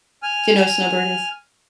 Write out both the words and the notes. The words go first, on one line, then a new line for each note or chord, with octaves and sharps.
Do you know what snowbird is?
G#5 F6